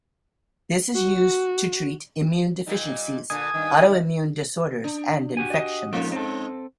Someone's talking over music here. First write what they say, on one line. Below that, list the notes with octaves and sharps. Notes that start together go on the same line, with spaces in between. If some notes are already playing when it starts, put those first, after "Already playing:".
This is used to treat immune deficiencies, autoimmune disorders, and infections.
F#4
A#2 G3 D#4
A#2 D3 G#5 D#6
G2 D#3
D4
F#4 G4 G#5
D5 D#5
F3 G#3 A#3 C#4 D#4
C4 A4